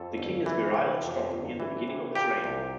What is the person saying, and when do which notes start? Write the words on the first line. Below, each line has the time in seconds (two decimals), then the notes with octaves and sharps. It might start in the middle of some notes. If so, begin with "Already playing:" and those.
The king is virile and strong, near the beginning of his reign.
Already playing: F2 A4
0.18 G1
0.46 E3
0.74 C3
1.03 F2
1.32 G1
1.60 E3
1.88 C3
2.15 A#2 G4 G5
2.44 C2